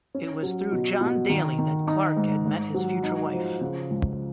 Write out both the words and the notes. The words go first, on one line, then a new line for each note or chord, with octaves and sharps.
It was through John Daly that Clarke had met his future wife.
C#4
F#3
B2
B2
D#3
D#3
D#4
G#2
G#2
F#3
D#4
F3
C#3
C#2